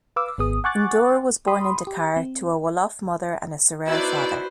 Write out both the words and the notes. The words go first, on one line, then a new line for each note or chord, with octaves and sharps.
N'Dour was born in Dakar to a Wolof mother and a Serer father.
B4 F5 D6 E6
G#1 B3 G#4 D#6
F#5 G#5 C#6 D6 F#6 A6
G4 B5 C6 D#6
G4
C4
B3 D#4 E4 F#4 B4 C5 D5 E6